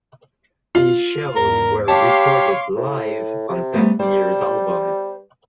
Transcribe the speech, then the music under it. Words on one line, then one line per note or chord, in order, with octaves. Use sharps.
These shows were recorded "live" on that year's album.
F4
E2 G#2 A#4
G4 C#5 F5 A5 C6 D6
A2
C3
G3 A3 B3
G3 C5 D5